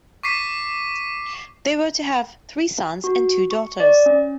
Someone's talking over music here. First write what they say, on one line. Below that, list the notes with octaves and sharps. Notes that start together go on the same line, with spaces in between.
They were to have three sons and two daughters.
C#6 D6 B6 C7 D#7
F#4
C#6
D5
C#4